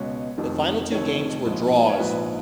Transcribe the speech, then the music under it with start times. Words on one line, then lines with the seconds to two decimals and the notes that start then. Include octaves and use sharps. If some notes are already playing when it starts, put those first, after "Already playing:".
The final two games were draws.
Already playing: C#2 B2 C#5
0.38 F1 F2 D#3
0.91 F1 F2 D#3 C#5
1.45 A#1 G#2 F3
1.88 C#5
1.98 A#1 G#2 F3 B4